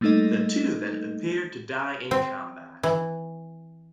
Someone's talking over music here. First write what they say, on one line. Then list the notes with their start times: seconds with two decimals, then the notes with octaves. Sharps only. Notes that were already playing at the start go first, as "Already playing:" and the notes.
The two then appear to die in combat.
0.01 G3 A3 A#3 D#4 A4 D#5
2.11 C4
2.83 E3